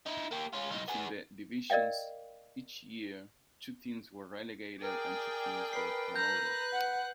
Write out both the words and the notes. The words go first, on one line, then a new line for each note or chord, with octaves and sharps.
Between the divisions each year two teams were relegated and two teams were promoted.
D#4 E4
A#3 G4
C#4 F4
B1 D#4
B3 G#4
A#4 D5 D#5 F5 G5
G#4 A#4 D5 G5
B4 C7
B4 A#5 F#6 G6
F#5